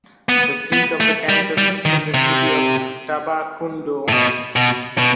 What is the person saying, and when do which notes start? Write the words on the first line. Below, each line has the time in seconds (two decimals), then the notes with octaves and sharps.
The seat of the canton is the city of Tabacundo.
0.29 B3
0.73 B3
1.00 A3
1.29 G3
1.58 G3
1.86 D#3
2.14 C3
4.09 A2
4.12 B2
4.56 B2
4.98 B2